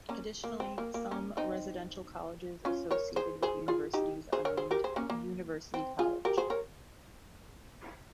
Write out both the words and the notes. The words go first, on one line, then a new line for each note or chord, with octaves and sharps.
Additionally, some residential colleges associated with universities are named "University College".
A#3 C#4
A#3
C4
A#3
A#3
A#3 C#4
C4 D#4
C#4 F4
A#4 C#5
G#4 C5
G#4 C5
F4 G#4
D#4 G4
G#4 C5
A#4 C#5
G#4 C5
G4 A#4
G#4 C5
A#3 C#4
A#3
C4
F4 G#4
G4 A#4
G#4 C5
A#4 C#5